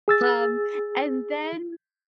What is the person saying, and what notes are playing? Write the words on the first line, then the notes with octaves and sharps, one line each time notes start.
Um, and then
G#4 E6 A6